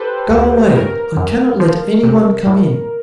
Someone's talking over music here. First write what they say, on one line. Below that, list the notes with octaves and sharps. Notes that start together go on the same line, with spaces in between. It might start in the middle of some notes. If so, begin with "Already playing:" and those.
"Go away; I cannot let any one come in."
Already playing: G4 A4 B4 C5
D2
C#3 A#4
F#2
F3
C3
A2